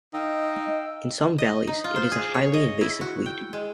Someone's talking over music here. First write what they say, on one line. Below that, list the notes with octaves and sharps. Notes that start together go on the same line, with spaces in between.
In some valleys, it is a highly invasive weed.
D#4 D#5 F5 G5 E6
D#5
D#4
F4
C5
G#4
C#5
D#5
E4
F#4
G5
G#3